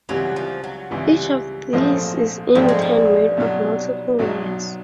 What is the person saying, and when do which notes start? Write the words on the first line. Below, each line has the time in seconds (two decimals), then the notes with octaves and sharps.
Each of these is in turn made of multiple layers.
0.09 C#2 C3 E3 F#3 G3
0.36 F3
0.64 F#3
0.91 C#2 C3 E3 G3
1.73 A#1 G#2 F3 A3 C4
2.55 A#1 G#2 F3 G3 A3 C4
2.69 G#3
2.82 G3
3.37 B1 B2 F#3
4.19 B1 B2 F#3